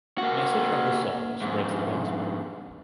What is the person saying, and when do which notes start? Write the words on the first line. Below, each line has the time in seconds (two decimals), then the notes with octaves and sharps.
The message of the song spreads the gospel.
0.18 A#3 F#4
1.42 F2 G#2